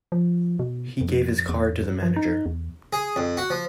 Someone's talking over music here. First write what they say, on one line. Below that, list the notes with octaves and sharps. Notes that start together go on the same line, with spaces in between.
He gave his card to the manager.
F3
B2
F2
E2
F3
D#4
E2
G#4
F2
F#4
F3